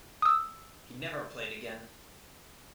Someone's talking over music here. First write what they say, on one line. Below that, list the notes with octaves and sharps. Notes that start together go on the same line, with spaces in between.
He never played again.
D#6 E6